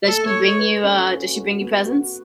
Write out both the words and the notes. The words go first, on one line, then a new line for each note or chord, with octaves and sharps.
Does she bring you, uh, does she bring you presents?
A3 A4
C#5
A3
C#5
B4
C#4
F#4
F#4
B3
F#4